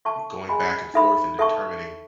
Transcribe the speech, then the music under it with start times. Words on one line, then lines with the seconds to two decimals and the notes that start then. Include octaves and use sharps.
y going back and forth and determining
0.05 A4 E5 A5 C#6
0.49 G#4 D#5 G#5 B5
0.94 D#4 A4 E5 B5
1.39 A4 E5 A5 C#6